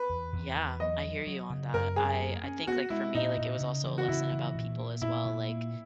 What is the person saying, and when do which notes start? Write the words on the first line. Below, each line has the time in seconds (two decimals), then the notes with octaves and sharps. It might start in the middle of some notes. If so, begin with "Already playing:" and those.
Yeah, I hear you on that. I I think, like, for me, like, it was also a lesson about people as well, like
Already playing: B4
0.10 E2
0.33 E2
0.56 E2
0.80 F#3 D#5
1.03 F#3
1.27 F#3
1.50 C#3
1.74 F#2 A#4
1.96 F#2 G#4
2.20 A#3
2.44 C#4
2.67 B3 F#4
2.90 G#3 E4
3.15 A#2 D#4
3.37 A#2
3.61 C#3
3.84 E3
3.98 F#4
4.08 C#3 E4
4.31 E3
4.55 A#2
4.79 A#3
5.02 A#2 E4
5.26 A#2
5.49 A#3